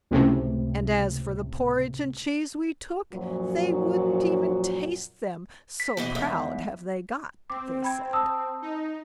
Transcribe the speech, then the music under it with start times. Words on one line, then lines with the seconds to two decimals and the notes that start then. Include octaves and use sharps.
'And as for the porridge and cheese we took, they wouldn't even taste them, so proud have they got', they said.
0.11 C#2 A2 C3
3.13 F#2 A#2 F3 F#3
5.80 B6
5.97 B2 E3 F3
6.15 E2 G#2
7.50 C4 D6
7.82 G5 B5 G#6
8.13 A5 D#6 E6
8.62 D#4